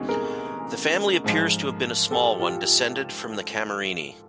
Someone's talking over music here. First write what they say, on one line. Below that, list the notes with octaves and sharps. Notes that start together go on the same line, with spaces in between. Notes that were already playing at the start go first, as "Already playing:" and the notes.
The family appears to have been a small one, descended from the Camerini.
Already playing: D2 C3 E3 G#3 B3 C#4 D#4
G#4 A#4
G#2 F3 G#3
G4 A4
F4 G4